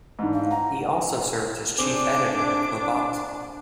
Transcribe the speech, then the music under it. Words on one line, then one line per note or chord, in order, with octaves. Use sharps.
He also served as chief editor of Mabat.
G#2 E3 D4
F5
F#5 A#5
C4 D4 G#4 D6